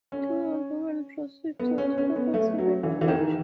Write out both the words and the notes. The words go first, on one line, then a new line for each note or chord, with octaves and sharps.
Two old women proceed to a spot outside the village.
C#4
B3
C#4
C#4
B3
A3
F#3
E3
E3
D#3